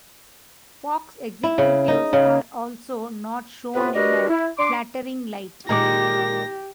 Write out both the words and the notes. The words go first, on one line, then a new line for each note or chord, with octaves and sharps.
Fox executives are also not shown in a flattering light.
E4
C#3
D#4
C#3
A2 C3 B3 F4 B4
G3 D4 F#4 A#4 B4 D#5
E4
D4 C6 D6
A#2 D#3 G#3 G4 A#5 D6 A#6